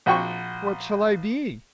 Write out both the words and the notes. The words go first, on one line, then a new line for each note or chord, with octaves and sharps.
"What shall I be?"
A#1 F#4 G5 C#6